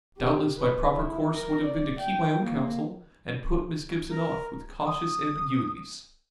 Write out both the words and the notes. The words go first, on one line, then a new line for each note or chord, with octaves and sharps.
Doubtless my proper course would have been to keep my own counsel and put Miss Gibson off with cautious ambiguities.
G4
B4
E4
A#4
D5
G5
A#3
A#4
D#6